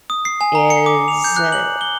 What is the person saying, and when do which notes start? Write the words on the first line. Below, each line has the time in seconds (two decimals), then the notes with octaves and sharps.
is uh,
0.10 D#6
0.25 C7
0.41 G#5
0.55 A#5
0.70 C#7
0.86 D6
1.08 F7
1.24 G6
1.36 F#6
1.52 F#7
1.81 G7